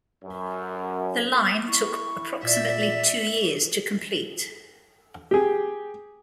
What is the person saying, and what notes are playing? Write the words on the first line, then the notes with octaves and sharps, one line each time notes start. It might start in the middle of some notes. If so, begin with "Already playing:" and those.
The line took approximately two years to complete.
F#2
E4 C#6
A#2 D5 E5
G4 G#4